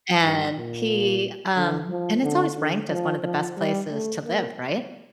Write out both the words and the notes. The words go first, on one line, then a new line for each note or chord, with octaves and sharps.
and he, um and it's always ranked as one of the best places to live, right?
G2
A#2
D3
F3
D3
D3
F3
F3
G3
A3
A#3